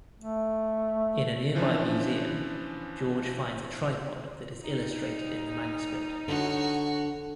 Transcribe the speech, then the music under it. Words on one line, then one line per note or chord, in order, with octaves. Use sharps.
In a nearby museum, George finds a tripod that is illustrated in the manuscript.
A3
E3 F3 C#4 D4 B4
D#2 G3 D#4
D3 F#4 C#5